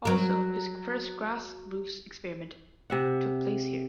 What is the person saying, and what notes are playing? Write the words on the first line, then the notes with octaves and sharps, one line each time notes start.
Also his first grass roofs experiment took place here.
F#3 A#4
C3 E5 F#5